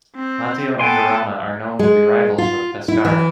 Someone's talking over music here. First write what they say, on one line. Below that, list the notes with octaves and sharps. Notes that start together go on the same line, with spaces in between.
Lazio and Verona are known to be rivals with Pescara.
C4
B3 A4 G5 G#5 C6
G#3
F4
E4
E3